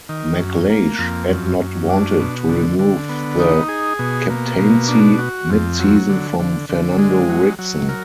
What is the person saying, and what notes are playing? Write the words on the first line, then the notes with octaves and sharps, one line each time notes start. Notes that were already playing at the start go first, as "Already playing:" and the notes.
McLeish had not wanted to remove the captaincy mid-season from Fernando Ricksen.
D#3
F#2
A#3
F2
F#2
F#2
D4
B2
D3
D3
B3
D#4
G#4
B2
A#3
B2
D4
F#4
F2
F#3
D3
D3
D3
G#3
F#3
F#3
A#4